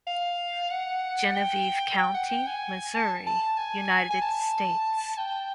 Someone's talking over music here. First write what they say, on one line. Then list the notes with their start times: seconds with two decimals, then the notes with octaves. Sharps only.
Genevieve County, Missouri, United States.
0.07 F5
0.71 F#5
1.35 G5
1.98 G5
2.15 F#5
2.30 G5
2.47 G#5
2.95 A5
3.27 A5
3.58 G#5
4.10 G#5
4.22 A5
5.18 G5